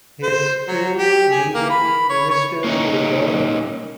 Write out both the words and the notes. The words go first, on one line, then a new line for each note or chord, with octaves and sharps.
His two leading ministers were gone.
C5
F#3
G4
G#4
A#3
B5
C#5
C#5
A#3 C#4 D#4